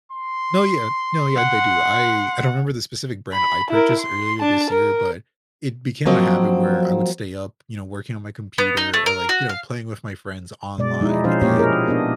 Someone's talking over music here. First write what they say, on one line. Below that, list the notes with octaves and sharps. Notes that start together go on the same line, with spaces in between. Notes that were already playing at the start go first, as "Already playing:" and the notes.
No, yeah. No, yeah, they do. I I don't remember the specific brand I purchased earlier this year, but, it became a habit where I would stay up, you know, working on my computer or, like, you know, playing with my friends online, and,
C6
F#5
B5
E4 A#4
C6
D4 A5
A#4
F3 F#3 A#3 C4 D#5
B3
D#4
A3
A#4
F#4
F5
B2 G#3 D5
F3 G#3 D#4 E4
B2 F3 C#4 D#4 C5 F5
A#2 G#3 A#3 C#4 G4 C#5
E4 G#4 A#4
B3 D4 D#5